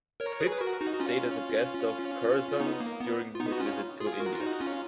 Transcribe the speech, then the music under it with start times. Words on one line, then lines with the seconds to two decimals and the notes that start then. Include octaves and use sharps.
Phipps stayed as a guest of Curzons during his visit to India.
0.20 A#4 C#5
0.40 G#4 B4
0.52 B4
0.61 F#4 A#4
0.80 D#4 F#4
0.93 F#4
1.00 C#4 F4
2.51 F4
2.60 B3 D#4
2.80 A#3
3.00 B3
3.35 F4
3.40 B3 D#4
3.52 F#4
3.60 C#4 F4
4.00 F4 G#4
4.20 F#4 A#4
4.35 F4
4.40 D#4 F#4
4.60 C#4 F4